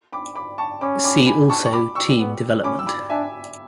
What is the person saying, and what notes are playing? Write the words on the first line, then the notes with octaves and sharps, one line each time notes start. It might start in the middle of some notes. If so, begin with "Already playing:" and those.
See also Team development.
B5 D6
B5 D6
A5 C#6
C#4 B5 D6
B5 D6
G#5 B5
A5 C#6
C#6
B5 D6
C#6 E6
B3
C#4 B5 D6
E6
B5 D6
D4 E5 G#5